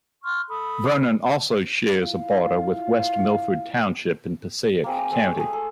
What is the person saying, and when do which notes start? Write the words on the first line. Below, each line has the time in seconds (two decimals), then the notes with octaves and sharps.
Vernon also shares a border with West Milford Township in Passaic County.
0.24 C6 C#6 F6 F#6
0.49 A4 B5 D#6
1.97 E4 F4 F5
4.84 A#3 C4 G#4
4.97 A#5 D6
5.10 G#3 C4 A4
5.25 C#5
5.38 A3 G#4
5.53 A4 C6